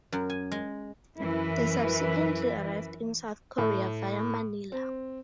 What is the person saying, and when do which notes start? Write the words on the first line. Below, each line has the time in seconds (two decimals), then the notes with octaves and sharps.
They subsequently arrived in South Korea via Manila.
0.12 F#2
0.30 G#5
0.52 G#3
1.17 F#2 E3 E4 A#4 B4
3.58 A2
4.72 C4